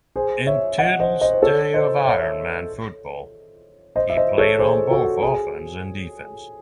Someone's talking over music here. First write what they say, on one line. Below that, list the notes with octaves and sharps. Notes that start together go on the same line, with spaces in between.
In Tittle's day of iron man football, he played on both offense and defense.
G#4 C5
C#5 E5
D#5 F#5
C5 D#5
C5 D#5
C5
A4 C#5
C5 D#5
C#5 E5
C5 D#5
E5
C5 D#5
A4 C#5
G#4 C5
F#4 A4
G#4